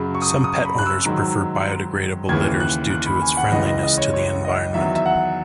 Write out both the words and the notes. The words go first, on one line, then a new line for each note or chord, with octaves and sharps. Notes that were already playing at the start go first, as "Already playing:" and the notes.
Some pet owners prefer biodegradable litters due to its friendliness to the environment.
Already playing: F#2 C#3 F#3 B5
C#6
D#6
C#6
D#6
B5
F#6
E6
G#2 D#3 F#3
D#2 C#3 E3 G#6
F#6
F#6
B5
G#5
F#5
C#2 C#3 E3 D#5
D#5
D#5
C#5
C#5
D#5
E2 D#3 F#3 E5
E5
F#5